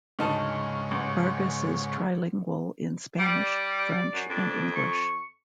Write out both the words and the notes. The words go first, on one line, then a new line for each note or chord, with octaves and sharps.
Vargas is trilingual in Spanish, French and English.
D2 G#2 C#3 D#4 A5
A1
G3 D5
F#2
F2 D4
C#6